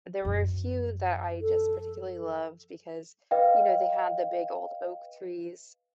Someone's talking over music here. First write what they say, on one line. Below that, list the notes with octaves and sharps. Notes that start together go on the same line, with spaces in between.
there were a few that I just particularly loved because, you know, they had the big old oak trees,
F#2 F3
A4
B4 D#5 F5 G5